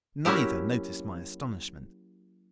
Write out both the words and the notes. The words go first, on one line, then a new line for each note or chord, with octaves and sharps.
Neither noticed my astonishment.
F#3 A#3 C#4 E4 G4